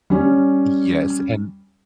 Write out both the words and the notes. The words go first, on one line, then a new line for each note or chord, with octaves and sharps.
Yes. And
G3 C#4